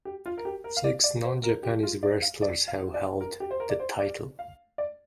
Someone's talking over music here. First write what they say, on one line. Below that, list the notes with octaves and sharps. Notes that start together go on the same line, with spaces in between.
Six non-Japanese wrestlers have held the title.
G4
F4
A#4
G4
A#4
F5
D5
D5
C5
A#4
G4
F4
D5
F5
D5
F5
D5
A#4
G4
C5
A#4
D5
C5
D5
F5
D5